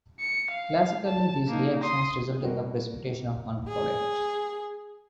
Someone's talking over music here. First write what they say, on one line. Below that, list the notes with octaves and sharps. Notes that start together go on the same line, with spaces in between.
Classically, these reactions result in the precipitation of one product.
C#7
F5
A5
A#3 D#4
C6 D#6
G3 A#3 F#4
G#4